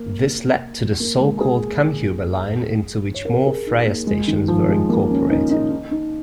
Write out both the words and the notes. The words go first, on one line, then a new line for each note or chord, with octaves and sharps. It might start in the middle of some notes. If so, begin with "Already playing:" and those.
This led to the so-called Kammhuber Line into which more "Freya" stations were incorporated.
Already playing: A#3
A#3
G#3
G#4
C#5
A#4
G#4
D#4
A#3
G#3
D#3
F3
G#3
A#3
C#4
D#4
D#4
D#4
D#4